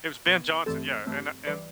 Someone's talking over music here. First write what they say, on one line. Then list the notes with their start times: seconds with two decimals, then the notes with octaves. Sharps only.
It was Ben Johnson, yeah, and a and
0.26 B2 B3
0.66 G2 E3 A3 C4 A4
1.06 G2 E3 A3 C4
1.47 E3 G3 B4 D5